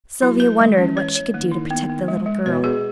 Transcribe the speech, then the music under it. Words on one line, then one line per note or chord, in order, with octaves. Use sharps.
Sylvia wondered what she could do to protect the little girl.
F#3 E4
B4
E3 G#3
C#4
C#5
C#5
D#3 A#3
E4
B3
B3
G#3
G#3
B2 C#5
G#4